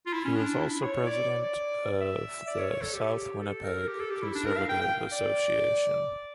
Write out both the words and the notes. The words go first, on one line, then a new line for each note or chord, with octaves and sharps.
He was also president of the South Winnipeg Conservative Association.
F4
E4
C#4
D4
E4
C#5
D5
D5
E5
D5
C#5
C#5
A4
G4
A4
A#4
G4
A4
G4
E4
D4
A#4
F5
G5
G5
D5